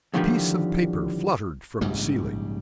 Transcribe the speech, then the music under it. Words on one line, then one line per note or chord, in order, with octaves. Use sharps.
A piece of paper fluttered from the ceiling.
F2 A2 D3 D#3 F3 G3
A#1 G#2 C#3 G3